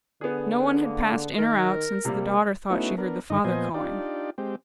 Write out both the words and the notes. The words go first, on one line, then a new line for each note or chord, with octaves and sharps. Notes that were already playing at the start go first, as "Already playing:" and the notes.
No one had passed in or out, since the daughter thought she heard the father calling.
D3 B3 G#4
A#3
D#3 A#4
C3 G3 A#3 G4
A3 B3 C#4 D#4 E4 F#4
B3 D4 A#4
G2 D3 D#3 D#4 D#5
A#2 F3 B3 C5 D#5 G#5
D4 D#4 F4 G4 D5
G#3 C4 G4